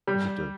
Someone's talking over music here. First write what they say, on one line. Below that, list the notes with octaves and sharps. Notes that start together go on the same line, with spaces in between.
You just have to
G3